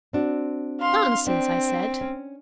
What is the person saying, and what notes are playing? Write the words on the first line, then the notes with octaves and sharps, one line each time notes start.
"Nonsense!" I said.
C4 D4 F#4
F5 C6
C4 D4
C#4